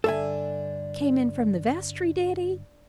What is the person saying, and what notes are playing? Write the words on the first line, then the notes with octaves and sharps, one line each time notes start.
Came in from the vestry, did he?
G2 D3 D4 A4 E5 G#5